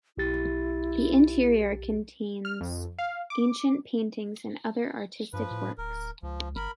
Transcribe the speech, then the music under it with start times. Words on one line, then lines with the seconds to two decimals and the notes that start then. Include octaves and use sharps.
The interior contains ancient paintings and other artistic works.
0.18 B1 E4 G4 A6
2.45 F6
2.61 F2
2.99 F5
3.30 D6
5.33 G2 F3 B4
5.51 A2
5.78 D1 A#4
6.23 C#2 F3
6.56 G1 A#4 B5